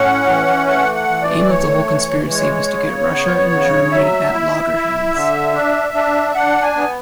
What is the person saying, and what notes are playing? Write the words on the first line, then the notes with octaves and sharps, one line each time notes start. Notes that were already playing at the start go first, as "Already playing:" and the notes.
The aim of the whole conspiracy was to get Russia and Germany at loggerheads.
Already playing: A2 C#4 F#5
E3
A3 F#5
F#5
E3
D5
A3 C#5
E3
G#3 C#5
C#3
B3
C#3
F#3 E5
E4
E4
D3
D4
D4
E5
D4 F#5
G#5
B3